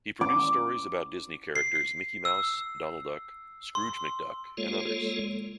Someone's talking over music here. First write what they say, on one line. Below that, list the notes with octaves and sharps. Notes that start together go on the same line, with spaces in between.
He produced stories about Disney characters Mickey Mouse, Donald Duck, Scrooge McDuck and others.
D6
C7
E6
C6
G#3 A#3 F4 A4 C#5